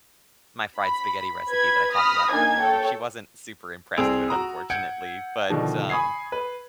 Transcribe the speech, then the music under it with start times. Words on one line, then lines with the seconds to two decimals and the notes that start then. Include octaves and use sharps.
my fried spaghetti recipe that I talked about earlier, which she wasn't super impressed with, unfortunately. But, um,
0.77 B5
1.48 B4 B5 G#6
1.92 B5 D#6 F6 A#6
2.30 A#3 D4 D#4 G#5 G#6
2.59 A4 C#5 G5
3.97 C2 C4 G#4 E6 D7 F7
4.28 F#4 A#5 D#6
4.70 F#5 G6 G#6 C#7 D7
5.50 B2 D3 D#3 F3 D4
5.90 G#5 B5 C#6 D#6 G#6 C7
6.32 B4